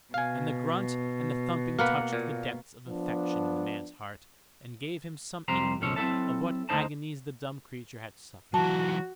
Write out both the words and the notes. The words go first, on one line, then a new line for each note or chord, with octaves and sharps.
And the grunt and the thumping touched the depth of affection in the man's heart, and gave him some inkling of what agonies the dumb creature had suffered.
B2 F5 G#5
A#3 B4 F5 F#5
A#2
F3 B3 D4
C2 F2 G4 C5 A#5
C#2 B2 F3 C#4 A4 C#5
F#3 C4 E4 A4 E5 A5
D2 E3 D#4 C5 A5
E3 F#3 F#4 A5